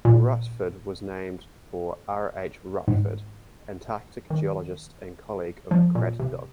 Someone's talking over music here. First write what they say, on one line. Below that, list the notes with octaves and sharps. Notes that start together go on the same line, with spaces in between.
Rutford was named for R. H. Rutford, Antarctic geologist and colleague of Craddock.
A#2
G#2
D#3
F3
A#2
C3